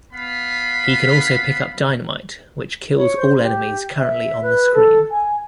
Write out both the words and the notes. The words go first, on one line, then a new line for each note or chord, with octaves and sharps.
He can also pick up dynamite, which kills all enemies currently on the screen.
B3 F5 B5
C#5
C5
G4
E5
B4
A4
G#5